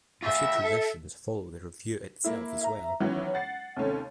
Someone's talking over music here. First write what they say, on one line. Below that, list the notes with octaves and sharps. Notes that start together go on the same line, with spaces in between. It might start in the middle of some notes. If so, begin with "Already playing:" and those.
A few traditions follow the revue itself as well.
F4 G#4 E5
A4
A#3 E4
E5 A#5
D#3 E3 F#3 B3 C#4 C#5
F#5 A6 C7
D#2 C3 A3 C#4